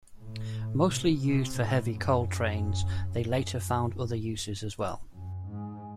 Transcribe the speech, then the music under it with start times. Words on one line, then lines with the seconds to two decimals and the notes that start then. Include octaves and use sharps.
Mostly used for heavy coal trains, they later found other uses as well.
0.18 A2
0.88 C3
1.23 C3
1.58 A2
1.94 F#2
3.34 F#2
5.10 F#2
5.45 G#2